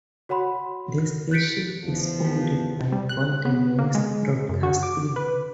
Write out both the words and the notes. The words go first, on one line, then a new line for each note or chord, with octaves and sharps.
The station is owned by Golden West Broadcasting.
F#4 C#5 F#5 B5 C6
F#6 G6 A6 B6 C#7 D7
E2 F3
B3 G4
G3
F#6
B3
A#3
G#3
F#2
F#4
D6
B4